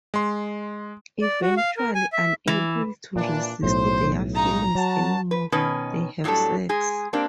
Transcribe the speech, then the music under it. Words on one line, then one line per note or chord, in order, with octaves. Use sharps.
Eventually, unable to resist their feelings anymore, they have sex.
G#3 C6
D5
F#4
F5
A#4
G#5
E5
E3
A#2 E3 D4
B1 A2 C5
C#3 D#4 A#5
F#3 F#4 A5
B4
B2 D#3 C#4 B4
A2 F#3 G3 D4 A4
G#3 G#4
A#3 C4 D4 G4